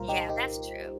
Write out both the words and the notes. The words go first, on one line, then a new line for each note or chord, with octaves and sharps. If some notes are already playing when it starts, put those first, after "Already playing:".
Yeah, that's true,
Already playing: C2 A#2 G3 F4 A#4 C5
D#4 G4
D#4 G4